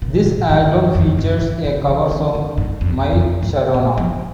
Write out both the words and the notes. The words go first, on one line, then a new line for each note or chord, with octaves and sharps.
This album features a cover song My Sharona.
A#2
A#2
G#2
G#2
G2
F2
G2
G#2
C#3
E3
C#3
C3
G#2
F2
F2
G#2
A#2
F3